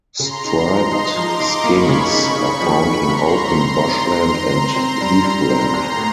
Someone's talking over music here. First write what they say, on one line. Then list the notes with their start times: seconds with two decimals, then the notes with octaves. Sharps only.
Striped skinks are found in open bushland and heathland.
0.19 C#3 A#5 C6
0.45 D#4
0.68 F3
0.92 D#4 A#5 C6
1.16 F3
1.28 C6 D6
1.40 D#4
1.64 A#3 B5 C#6
1.89 C#3
2.13 D#4
2.36 D#4
2.61 F3
2.85 F3
3.08 D#2 A#5 C6
3.33 G3
3.44 A#5 C6
3.57 C4
3.80 C4 A#5 C6
4.05 C4
4.29 D#3
4.53 C4
4.76 C4
5.01 G3
5.24 G3 A#5 C6
5.49 C4
5.73 D#2
5.97 A2